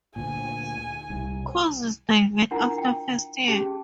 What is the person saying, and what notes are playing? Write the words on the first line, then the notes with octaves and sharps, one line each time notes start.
Courses divert after first year.
D2 A#2 G#5
C2
D4 E4 F4 A#4 F#5 A#5
G5
C#4 G4 G#4 A5